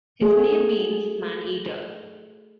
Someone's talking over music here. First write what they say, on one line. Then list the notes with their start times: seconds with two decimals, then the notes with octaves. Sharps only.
His name means "man eater".
0.21 A3 G#4